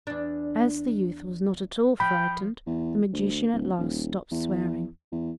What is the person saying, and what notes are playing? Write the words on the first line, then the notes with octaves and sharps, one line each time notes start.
As the youth was not at all frightened, the magician at last stopped swearing.
E2 D4
F3 G5 B5
E2
D2
D1
D#1
E2
E2